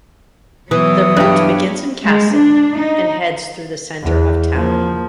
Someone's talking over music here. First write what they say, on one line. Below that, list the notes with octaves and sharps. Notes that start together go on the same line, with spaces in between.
The route begins in Kasson, and heads through the center of town.
E3 F#3 B3 D#6
G2 G4
G#3
D4
D#4
E2
F3 A#3